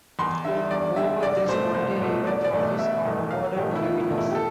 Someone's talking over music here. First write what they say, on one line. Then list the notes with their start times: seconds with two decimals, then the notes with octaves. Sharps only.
Over this one-day event, trophies are awarded to the winners.
0.19 E2 C6
0.45 D3 G3 E5
0.71 E2 D5
0.96 D3 G3 E5
1.23 C2 D5
1.49 B2 A3 C5
1.75 C2 C5
2.01 B2 A3
2.27 E1 D5
2.44 D5
2.53 E2 B2 A3
2.79 E1 E5
3.05 E2 B2 A3
3.31 E1 F5
3.56 E2 B2 A3 G4
3.75 E4
3.82 E1 F4
4.00 E4
4.09 E2 B2 A3
4.18 E4
4.31 G4
4.35 A4